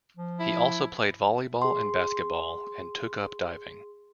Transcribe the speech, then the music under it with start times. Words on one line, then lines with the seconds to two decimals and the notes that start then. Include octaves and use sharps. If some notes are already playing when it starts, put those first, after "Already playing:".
He also played volleyball and basketball and took up diving.
0.17 F3
0.40 E4
1.62 G#4 C6